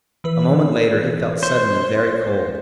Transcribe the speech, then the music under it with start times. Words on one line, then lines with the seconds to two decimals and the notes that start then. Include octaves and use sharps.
A moment later he felt suddenly very cold.
0.24 E3 B4
1.43 C5 C#5